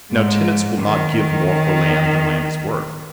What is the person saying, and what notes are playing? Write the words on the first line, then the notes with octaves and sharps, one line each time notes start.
Now tenants will not give more for land, than land is worth.
G#2
D#3